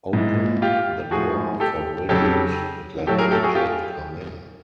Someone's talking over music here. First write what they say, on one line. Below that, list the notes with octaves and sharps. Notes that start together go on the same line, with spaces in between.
Open the door for Bridget and let Bridget come in.
G#2 E3
F4 G4
A2 F3 F#4 G#4
G4 A4
F2 C#3 F#3 G4 A4
A2 F#3 G4 A4
G#4 A#4
G4 A4
F#4 G#4
F4 G4